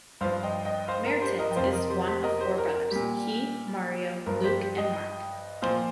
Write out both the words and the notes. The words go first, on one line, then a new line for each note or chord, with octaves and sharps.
Maertens is one of four brothers: he, Mario, Luc and Marc.
G2 F3 C5 F5
D#5 G5
D#5 G5
C5 F5
A#4
G4 C5
A#4 D#5
G5
F2 C3 F3 C5 F5
A#4 D#5
G4 C5
G4 C5
A#4 D#5
G4 C5
A#4
A#4
A#2 G3 G4
G2 F3 A#4
G4 C5
G4
D#5 G5
A#2 F3 C5 F5